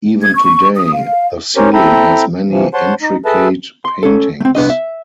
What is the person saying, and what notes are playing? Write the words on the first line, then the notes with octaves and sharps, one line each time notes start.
Even today, the ceiling has many intricate paintings.
G#6
C#6
D#6
F5
C4 C#4 G4 A#4 C5 C#5
C4 E4 A4 G5 A#5 B5
C3 E3 F3
C5 C#5 F#5 A5 C6
D#4
G#4 A4 B4 E5 A5
C6
C#4 A4
A3 C4
C2 B3 D4 D#5
E5